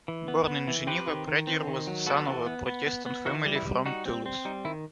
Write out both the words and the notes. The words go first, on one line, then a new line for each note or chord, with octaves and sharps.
Born in Geneva, Pradier was the son of a Protestant family from Toulouse.
E3
B3
B3
E3
C4 G4 B4
D#3
D#3
C4
D#3
F#3
B3 F#4 A4
E3
B3
B3
B3
B3
E3 D#4 F#4
G3
E4
G3
G3 D#4 F#4
C4
C4
G3 D#4
D#3 E4